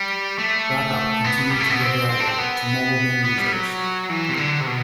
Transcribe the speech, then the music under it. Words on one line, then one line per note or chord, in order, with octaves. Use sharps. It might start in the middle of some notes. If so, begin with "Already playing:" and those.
Backup continued to be available to MobileMe users.
Already playing: G3
A3
B3
G3
A3
B3
C4
C4
D4
C4
B3
B3
G3
F#3
E3
C3
D3
C3
B2